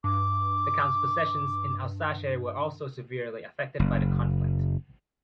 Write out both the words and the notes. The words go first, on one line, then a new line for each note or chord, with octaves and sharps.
The count's possessions in Alsace were also severely affected by the conflict.
G2 D6
F#1